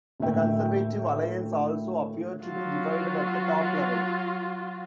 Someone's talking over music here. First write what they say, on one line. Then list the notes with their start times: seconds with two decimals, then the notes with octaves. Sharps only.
The Conservative Alliance also appeared to be divided at the top level.
0.20 D2 A2 A#3 E5 G5
2.43 F#3 F4